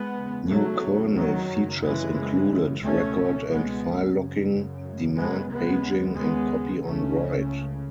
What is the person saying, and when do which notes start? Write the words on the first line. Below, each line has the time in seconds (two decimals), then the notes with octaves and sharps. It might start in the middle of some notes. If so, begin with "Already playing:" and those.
New kernel features included record and file locking, demand paging, and copy on write.
Already playing: G#3 B3
0.15 E2 C#3
0.49 F#3 A3
1.15 D#3 F#3
1.49 F#2 C#3
1.82 E3 G#3
2.82 C#2 B2 A3 C#4
3.49 G#3 B3
4.17 F#2 C#3
5.17 G#3 B3
5.50 D#2 C#3 G#3 B3
6.17 G#3 B3
6.84 C#2 C#3 A3 C#4